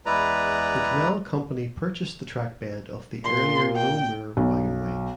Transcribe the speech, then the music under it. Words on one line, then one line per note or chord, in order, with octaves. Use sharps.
The canal company purchased the trackbed of the earlier Low Moor Waggonway.
E2 G#3 E4 B4 D5 A#5
A#2 C6
G5
B1